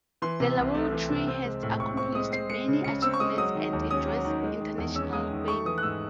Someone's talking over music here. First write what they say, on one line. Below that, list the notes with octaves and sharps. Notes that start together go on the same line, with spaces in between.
The Laboratory has accomplished many achievements and enjoys international fame.
E3 C6
C3
C2
A3
E3
C3
C4
G#3
A2
A2 C#6
C4 C#6
G#3 D#6
C4 C7
G#3 C#7
C#3
C#3 C#7
C4 E6
C#6
G#3 D#6
F#3 D#6
D#3
D#2
C#4 D#6
F#3
D#3
G#3
D#3
E2
C#4 E6
G#3 D#6
D#3
A3 C#6
E3 D#6
F#6
G#2 E6